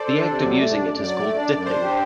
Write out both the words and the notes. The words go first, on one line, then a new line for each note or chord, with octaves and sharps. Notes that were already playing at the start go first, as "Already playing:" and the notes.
The act of using it is called "dipping".
Already playing: A4 C5 D5
D4
C3
F#3
A3
D4
F#2
F#3 D5
A3
D4
F#2
D4 C5
G4